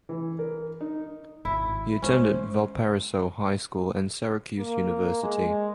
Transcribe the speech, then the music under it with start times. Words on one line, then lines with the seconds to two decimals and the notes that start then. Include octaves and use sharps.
He attended Valparaiso High School and Syracuse University.
0.09 E3
0.39 A#4
0.81 D#4
1.45 G#1 E4
2.02 G#3 C#4 C5
4.58 A#3
5.23 G#3